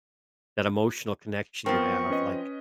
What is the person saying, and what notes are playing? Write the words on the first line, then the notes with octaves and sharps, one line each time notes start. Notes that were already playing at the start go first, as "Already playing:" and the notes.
that emotional connection you have, like
F3 B3 C4 A#4 C#6
C#4 B4 D#5